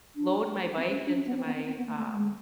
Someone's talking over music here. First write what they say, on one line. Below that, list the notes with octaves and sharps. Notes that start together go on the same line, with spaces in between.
load my bike into my, um,
D4
C4
C#4
D4
C#4
B3
C4
B3
C4
C4
B3
A#3
A3
G#3